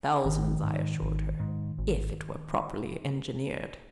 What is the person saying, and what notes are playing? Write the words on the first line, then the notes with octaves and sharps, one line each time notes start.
"Thousands," I assured her, "if it were properly engineered."
G#1 D#3
G#2
G#1
G#2
G#1